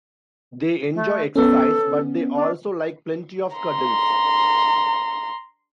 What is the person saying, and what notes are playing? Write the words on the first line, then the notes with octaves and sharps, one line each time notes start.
They enjoy exercise, but they also like plenty of cuddles.
A3
B3 C#4 A4
D4
A#5 C6